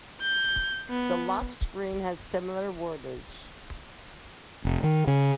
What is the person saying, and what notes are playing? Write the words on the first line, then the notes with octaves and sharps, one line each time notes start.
The lock screen has similar wordage.
G6
B3
F1
D#3
C#3